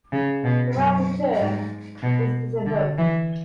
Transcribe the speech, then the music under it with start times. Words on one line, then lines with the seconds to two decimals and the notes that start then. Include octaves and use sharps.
The rapporteur is disavowed.
0.12 C#3
0.44 B2
0.76 F#2
1.39 G#2
2.03 B2
2.66 D3
2.98 E3